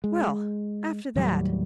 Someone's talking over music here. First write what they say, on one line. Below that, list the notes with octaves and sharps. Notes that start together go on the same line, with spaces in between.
Well, after that...
G#3
D#2 A2 F#3 G3